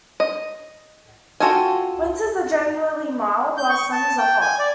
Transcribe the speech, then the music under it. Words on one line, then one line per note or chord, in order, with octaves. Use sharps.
Winters are generally mild while summers are hot.
D#5
F4 F#4 A4 G5 G#5
G6
C#6
A5
G5
G#5
D5